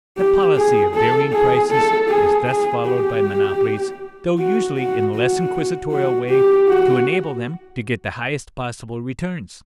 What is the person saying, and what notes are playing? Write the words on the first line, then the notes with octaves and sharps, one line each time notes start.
The policy of varying prices is thus followed by monopolies, though usually in a less inquisitorial way, to enable them to get the highest possible returns.
G4
G#4
A4
G#4
A4
G#4
G#4
G4
F#4
F#4
F#4
F#4
G4
F#4